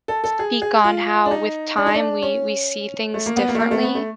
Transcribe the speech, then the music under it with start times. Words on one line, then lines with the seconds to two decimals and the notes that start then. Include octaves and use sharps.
speak on how with time we we see things differently,
0.08 A4
0.24 A4
0.39 G#4
0.62 G#4
0.84 F4
1.25 D4
1.31 D#4
1.77 D4
1.86 D#4
1.94 D4
2.22 C#4
3.14 A3
3.26 A#3
3.36 B3
3.48 A#3
3.55 A3
3.60 A#3
3.71 A3
3.83 B3
3.95 A3